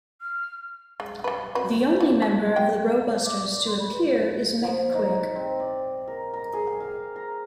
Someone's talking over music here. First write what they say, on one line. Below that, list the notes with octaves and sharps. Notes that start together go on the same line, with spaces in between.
The only member of the Ro-busters to appear is Mek-Quake.
F6
G#3
G3 B4
C4 F#4 B4
E3
A4
G5
D6
D5
C6
B5
B4
F3
D#4
C4
D5
A#4
A#5
G#4
F5
A#5